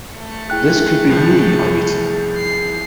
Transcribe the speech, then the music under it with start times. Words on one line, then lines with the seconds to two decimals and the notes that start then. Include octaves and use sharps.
This could be me I'm eating.
0.15 A3 C#7
0.50 E4 G#4 G5 F#6
1.09 C2 F3
2.37 C7